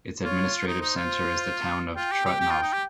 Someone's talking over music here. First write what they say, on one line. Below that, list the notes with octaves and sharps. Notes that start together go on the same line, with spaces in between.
Its administrative center is the town of Trutnov.
F4 C#5
D#4 C5
D#4
F4
F4 G5
G4
G4
G4
F4
D#4
G4